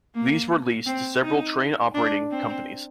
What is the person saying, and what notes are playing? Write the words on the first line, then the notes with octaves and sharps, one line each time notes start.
These were leased to several train operating companies.
A#3
C4
D#4
D4
C4